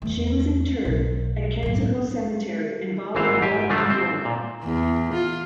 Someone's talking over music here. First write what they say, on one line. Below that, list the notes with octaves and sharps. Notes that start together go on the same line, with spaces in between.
She was interred in Kensico Cemetery in Valhalla, New York.
E2 A3
B1
F#2 A2
G#1 G#2 E3 C4 C5 F5
G#2 G4 G#5
G#2 D3 F3 F#3 A3 F4
C4 C5
A#2
E2
F4